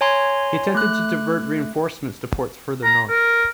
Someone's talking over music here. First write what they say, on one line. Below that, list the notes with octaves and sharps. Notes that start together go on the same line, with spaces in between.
He attempted to divert reinforcements to ports further north.
C#5 G#5 A#5 C6
A3 F#6
A#5
A#4